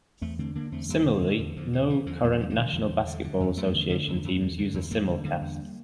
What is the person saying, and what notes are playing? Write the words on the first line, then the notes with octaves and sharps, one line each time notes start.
Similarly, no current National Basketball Association teams use a simulcast.
E2 A3 C4
D3 A3 C4
D3 A#3 D4
E2 A3 C4
E2 G3 A#3
D3
D3
E2
E2 D3 F3
D3 E3
D3 E3
E2 D3 F3
E2 A3
G3
D3 F3
E3 G3
D3
E2
E2
D3
D3
E2
E2 F3 A3
D3
D3
E2
E2
D3
D3
E2
E2 G3 A#3
D3
D3
E2